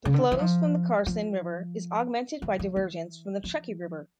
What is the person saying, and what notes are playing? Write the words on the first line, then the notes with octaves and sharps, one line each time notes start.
The flows from the Carson River is augmented by diversions from the Truckee River.
C#3
D3
E3
F3
F3
E3
F3
E3
F3